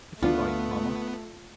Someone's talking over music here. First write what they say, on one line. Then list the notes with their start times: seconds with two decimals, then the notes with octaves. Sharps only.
"If you like, mama."
0.23 D2 A3 B3 C#4 D4 F4